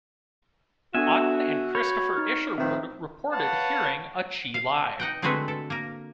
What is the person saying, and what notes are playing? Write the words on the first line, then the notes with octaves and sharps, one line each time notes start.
Auden and Christopher Isherwood reported hearing a Chee Lai!
B3 D4 F#4 A4 E5 G#5
C#5 B5 G6
D#4 F6
D#3 F3 C4 B4 E5
B4 C#5 F5 F#5 A5
F5
D#4 F#5 G5
D3 G#3 A3 C4 F#4 B4
A4
A#3 A#4